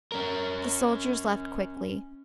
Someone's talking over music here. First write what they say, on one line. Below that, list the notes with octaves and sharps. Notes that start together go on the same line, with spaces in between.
The soldiers left quickly.
C#4 A#4